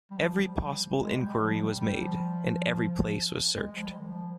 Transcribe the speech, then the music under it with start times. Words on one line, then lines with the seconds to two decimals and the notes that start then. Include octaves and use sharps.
Every possible inquiry was made, and every place was searched.
0.11 G3
0.18 F3
0.40 F3
0.48 G3
0.99 G#3
1.20 G3
1.41 F3
1.61 G3
1.81 G3
2.01 F3
3.54 G#3
3.77 F3
3.85 G3
3.99 D#3
4.06 F3